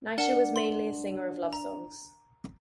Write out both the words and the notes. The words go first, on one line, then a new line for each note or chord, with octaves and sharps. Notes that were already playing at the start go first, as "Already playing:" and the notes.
Neisha was mainly a singer of love songs.
D4 A#4 F#5 A5
C6 F#7
A#5